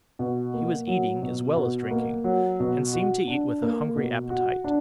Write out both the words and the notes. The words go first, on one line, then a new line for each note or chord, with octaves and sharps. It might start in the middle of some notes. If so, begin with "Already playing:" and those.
He was eating as well as drinking, and seemed to eat with a hungry appetite.
B2
A#3
F#3
B2
B2
A#3
F#3
B2
F#4
D4
A#3
B2
F#4
D4